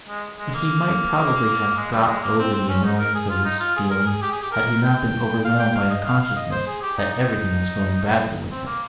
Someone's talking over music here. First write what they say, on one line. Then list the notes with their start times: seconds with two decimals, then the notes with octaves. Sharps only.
But he might probably have got over the annoyance of this feeling had he not been overwhelmed by a consciousness that everything was going badly with him.
0.08 G#3
0.39 G#3
0.55 A#3
1.77 G#3
1.92 G3
2.07 G#3
2.23 A#3
2.39 C4
2.53 C4
2.68 C#4
2.84 D#4
2.99 A#4
3.15 G#4
3.30 F4
3.45 D#4
3.60 F4
3.77 G#4
3.91 A#4
4.06 G#4
4.22 G4
4.32 G#4
4.42 G4
4.52 A#4
4.83 G5
5.44 F5
5.60 G5
5.75 F5
5.90 D#5
6.06 F5
6.21 F5
6.36 D#5
6.52 C5
6.67 G#4
6.82 G4
6.98 D#4
7.13 D#4
8.51 C4
8.66 A#3